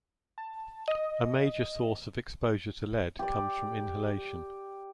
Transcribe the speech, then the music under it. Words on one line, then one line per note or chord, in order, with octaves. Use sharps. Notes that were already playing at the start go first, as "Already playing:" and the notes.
A major source of exposure to lead comes from inhalation.
A5
D#5
G4 D5